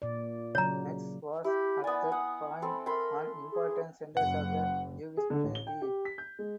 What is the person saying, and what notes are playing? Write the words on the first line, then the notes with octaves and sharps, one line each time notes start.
Metz was at that point an important center of the Jewish community.
A#2 D5
C#3 F#3 C#5 A#5
E4 G4
B3 D5 G#5
F#5 D#6
C4 A4 B5
A#4 B5 C6
G#4
F#1 F#5
G#4
D3
A1
G7
G5
G4
B6
G6
G#3